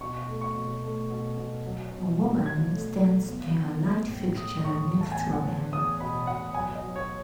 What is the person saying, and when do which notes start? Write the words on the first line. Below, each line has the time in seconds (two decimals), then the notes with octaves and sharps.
A woman stands near a light fixture next to a man.
0.01 B2 C#6
0.28 A3
0.41 C#6
0.55 B2
0.83 A3
1.10 B2
1.37 B2
1.65 F#3
1.92 B2
2.19 F#3
2.46 B2 G#6
2.73 A3
3.00 F#3
3.28 B3
3.56 B3
3.82 G#3
4.10 A2
4.36 A2 D#6
4.65 A2 C#6
4.91 E2
5.01 A5
5.12 G#5
5.18 B3
5.33 F#5
5.45 E2
5.73 E2 D#6
6.00 B2 B5
6.27 B2 F#5
6.54 F#3 G#5
6.75 D#5
6.81 F#3
6.96 C#5